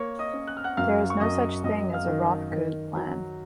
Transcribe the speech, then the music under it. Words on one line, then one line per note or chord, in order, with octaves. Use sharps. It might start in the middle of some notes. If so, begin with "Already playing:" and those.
There is no such thing as a "Roth Keogh Plan".
Already playing: A#3 C#5 C#6
D#5 D#6
C#4
F#6
F6
F#5 F#6
F#2 F5 F6
C#6
F#2 D#5 D#6
F#2 D#5 D#6
F5 F6
D#3
D#3
F#3